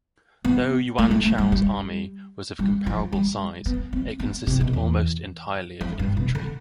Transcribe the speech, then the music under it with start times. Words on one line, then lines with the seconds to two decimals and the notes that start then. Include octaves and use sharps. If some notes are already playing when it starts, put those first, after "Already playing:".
Though Yuan Shao's army was of comparable size, it consisted almost entirely of infantry.
0.45 B3
0.98 A3
1.11 A3
1.25 A3
1.38 G3
1.52 G3
2.59 G3
2.86 F3
3.13 G3
3.66 B3
3.93 C4
4.19 B3
4.47 C3
4.61 B2
4.73 E2
5.81 F2
5.99 G2
6.17 B2
6.35 D3